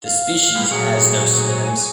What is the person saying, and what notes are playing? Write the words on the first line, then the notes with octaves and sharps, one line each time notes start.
The species has no synonyms.
F5
G3 G#3 B3 F6
A#2 F#3 G#4 C#5 C#7
G#5